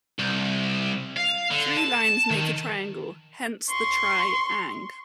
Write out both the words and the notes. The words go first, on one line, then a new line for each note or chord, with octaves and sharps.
Three "Lines" make a triangle, hence the Tri-ang.
C2
F5
D3
A5
D#3
C6 C#6